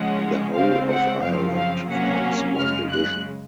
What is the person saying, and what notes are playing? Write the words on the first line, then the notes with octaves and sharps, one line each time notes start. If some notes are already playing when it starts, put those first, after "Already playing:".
The whole of Ireland forms one Division.
Already playing: C#3 F3 G#3 C#4 F#5
C#3 G#3 C4 F5
F#5
F#2 C#3 F3 C4 F5
F5
C3 F#3 A#3 C#4 F#5
F#2 C#3 G#3 F6
F#6